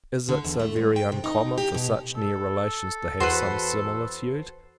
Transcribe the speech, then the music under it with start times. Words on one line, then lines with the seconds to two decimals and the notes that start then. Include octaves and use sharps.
Is it so very uncommon for such near relations to have some similitude?
0.29 D3
0.45 E2
0.59 A3
0.76 G#2
0.96 G5
1.12 C3
1.24 D#4
1.58 G4
1.75 B2
2.17 A4
3.20 E2 F#4 B4 C5 C7